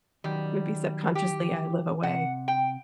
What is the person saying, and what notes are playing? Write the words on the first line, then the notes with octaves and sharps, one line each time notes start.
Maybe subconsciously, I live away.
D#3 F#3 G3
G4
C3 F#5
G5